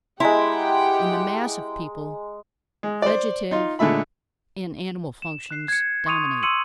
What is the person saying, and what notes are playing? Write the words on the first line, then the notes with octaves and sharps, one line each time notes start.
In the mass of people, vegetative and animal functions dominate.
G#3 E4 G4 F#5 G5 A#5 C6
G#3
C5 D5
D#4 F4
A#2 D3 G#3 A3 E5 B5
E7
F#6 C7
G#6 C#7
C6 C#6 D#6 C#7 D#7 F7
C6 C#6 E6 C#7 D#7 F#7